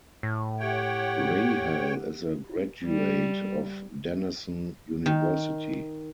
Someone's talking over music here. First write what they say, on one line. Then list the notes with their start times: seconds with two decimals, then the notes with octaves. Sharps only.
Rahal is a graduate of Denison University.
0.23 A2
0.59 G4 C#5 F#5 G5
2.85 G3
5.06 D#3